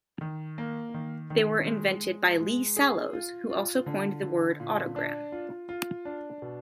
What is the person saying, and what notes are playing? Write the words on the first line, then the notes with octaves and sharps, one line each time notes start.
They were invented by Lee Sallows, who also coined the word "autogram".
D#3
A#3
D#3
D#3
G#3
G#3
G#3
G#4
F4
F4
D3
D3
A#2
D4
F4
F4
D4
B2